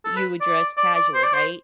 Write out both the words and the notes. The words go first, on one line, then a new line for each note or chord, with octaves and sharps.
you would dress casual, right?
A4
B4
D5
D5
D5
C5
D5
C5